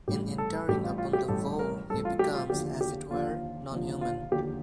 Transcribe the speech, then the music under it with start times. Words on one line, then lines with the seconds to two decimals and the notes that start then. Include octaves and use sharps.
In entering upon the vow he becomes, as it were, nonhuman.
0.08 A1 A2 G3 G4
0.38 A4
0.68 A1 A2 G3 G4
0.84 F4
0.98 F4
1.13 G4
1.28 A1 A2 G3 A4
1.59 A#4
1.90 A1 A2 G3 A4
2.05 F4
2.19 G4
2.35 F4
2.50 D#2 D3 F3 G4
2.81 G4
3.11 D#2 D3 F3 F4
3.71 D#2 D3 F3
4.01 F4
4.31 D#2 D3 F3 G4